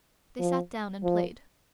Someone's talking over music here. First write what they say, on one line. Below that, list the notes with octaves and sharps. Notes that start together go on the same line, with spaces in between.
They sat down and played.
F3
F3